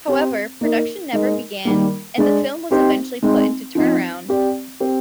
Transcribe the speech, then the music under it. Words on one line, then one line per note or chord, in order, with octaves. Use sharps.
However, production never began and the film was eventually put into turnaround.
C4 G4 C5
A#3 D#4 A#4 D#5
G#3 D#4 A#4 D#5
D#3 G3 A#3
G#3 D4 G#4 D5
C4 D#4 G4 C5
G#3 C4 D#4
F3 C4 D#4
C4 G4 D5
C4 G4 C5